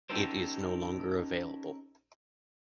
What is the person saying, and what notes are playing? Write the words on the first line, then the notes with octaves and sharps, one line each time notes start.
It is no longer available.
C#4 D#4 G4 A4 A#4 C5